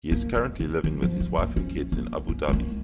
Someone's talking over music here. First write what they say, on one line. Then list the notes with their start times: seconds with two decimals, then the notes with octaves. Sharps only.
He is currently living with his wife and kids in Abu Dhabi.
0.12 A#3
0.36 G#3
0.60 C#3
0.84 D#3
1.02 F3
1.20 G#3
1.38 A#3
1.56 C#4
1.92 A#3
2.28 C#4
2.48 G#3
2.53 A#3